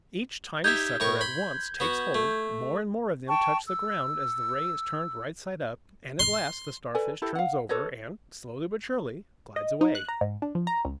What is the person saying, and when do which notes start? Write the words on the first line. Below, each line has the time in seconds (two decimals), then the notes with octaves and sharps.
Each tiny sucker at once takes hold, more and more of them touch the ground as the ray is turned right side up, and at last the Starfish turns over, and, slowly but surely, glides away.
0.64 D#4 G4 E5 G6 G#6
1.00 A2 A#4 C#6
1.21 B5 C6
1.80 B3 F#4
2.15 A3
3.28 G5 A5 C#6
3.66 E6
6.19 C6
6.94 A4 B4 D5 G#5
7.22 E4 G4 A4
7.35 F5 F#5
7.69 A4 B4 C#5 D#5
9.56 D#5
9.81 D#4
9.95 F#6
10.09 A#5
10.21 G#2
10.42 D4
10.55 F3
10.67 A#5
10.85 C#2